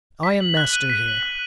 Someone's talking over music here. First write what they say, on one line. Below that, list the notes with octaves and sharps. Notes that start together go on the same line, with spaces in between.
I am master here.
B6
F#7
F#6
D#7
B6
F#7
F#6